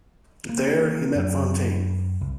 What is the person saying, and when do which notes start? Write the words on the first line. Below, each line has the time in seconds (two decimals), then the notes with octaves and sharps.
There he met Fontaine.
0.49 A#3
1.15 F#2
2.21 C2